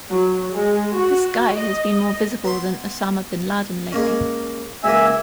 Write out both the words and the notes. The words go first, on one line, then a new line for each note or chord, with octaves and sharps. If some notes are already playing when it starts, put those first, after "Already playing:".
This guy has been more visible than Osama bin Laden lately.
F#3
G#3
F#4
D#5
B3 C6
G#3 A#3 C#4
C#2 A#3 E5 G#5 E6